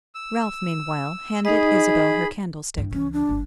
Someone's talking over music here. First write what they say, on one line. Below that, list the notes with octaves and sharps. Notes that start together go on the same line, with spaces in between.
Ralph meanwhile handed Isabel her candlestick.
E6
D#4 G#4 D#5 B5
G2 E4
C#2 E3 C#4
D4
G1 G#2